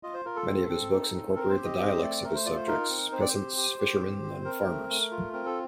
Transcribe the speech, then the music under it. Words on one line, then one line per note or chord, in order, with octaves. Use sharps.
Many of his books incorporate the dialects of his subjects: peasants, fishermen and farmers.
F4 D#5
C5
F4 A#4
A4
C4
C4
D#4
C4
C4 A#4
C5
G4
D#5
C4 D#5
A3 D5
A3 A#4
C5
F4 D5
C5
D#4 A#4
C4
C4 C5
D5
C5
G4
G4
G4
C4
C4
C4 A#4
A3
A3
F4
C4 A#4
A4